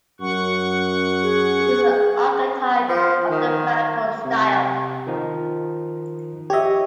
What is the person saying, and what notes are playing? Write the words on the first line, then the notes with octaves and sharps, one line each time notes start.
It is the archetype of the Baphuon style.
F#2 F#5 C#6
G#4
F3
D#3
C3
D#3 F3 D#4
G4 C#5 D#5 E5